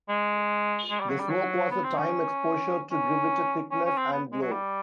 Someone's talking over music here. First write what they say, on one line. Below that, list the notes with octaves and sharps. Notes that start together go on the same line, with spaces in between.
The smoke was a time exposure to give it a thickness and glow.
G#3
G#3
G3
F#3
G3
F#3
B3
C4
C#4
C#4
C#4
C#4
C4
B3
G#3
F#3
G3